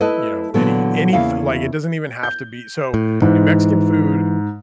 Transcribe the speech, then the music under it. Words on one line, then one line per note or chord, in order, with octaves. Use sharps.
you know, any any f like, it doesn't even have to be so, New Mexican food
A3 E4 A4 B4 D#5
A#2 D3 E3 F#3 B3
E2 C#3 A#3 E4 F5
G6
A2
G#2 E3